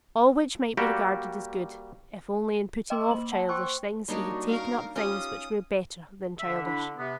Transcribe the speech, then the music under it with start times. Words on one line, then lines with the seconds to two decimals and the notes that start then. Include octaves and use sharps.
All which might be regarded as good, if only in putting off childish things he had taken up things which were better than childish.
0.77 G3 A#3 F#4 G4
2.90 D#5 G5 C6 D6 E6
3.11 A#3 F#7
3.32 F#5 A5
3.49 C5 G5 C6 C#6 E6 F#6
4.08 G3 A#3 D4 D#4 F#4 C#5 D#5
4.47 A#4 F5
4.96 C#4 F4 G4 D#6
6.39 D3 E5
6.65 D4 E4 B5
6.97 C3 B3